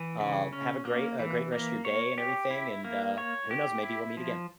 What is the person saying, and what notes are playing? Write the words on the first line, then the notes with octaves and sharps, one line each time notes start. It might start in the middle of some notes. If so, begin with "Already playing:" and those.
Um, have a great, uh, great rest of your day and everything, and, uh, who knows? Maybe we'll meet again.
Already playing: E3
C#3
C#4
A#3
E3
A#3
C#5
G4
E4
A#3
C#5
G4
E4
F3